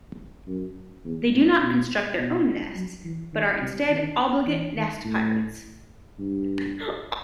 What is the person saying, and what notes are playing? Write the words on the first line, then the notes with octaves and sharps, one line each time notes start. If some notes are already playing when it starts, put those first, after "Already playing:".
They do not construct their own nests, but are instead obligate nest pirates.
F#2
E2
A2
B2
B2
F#3
E3
D#3
C3
D#3
E3
D#3
A2
G2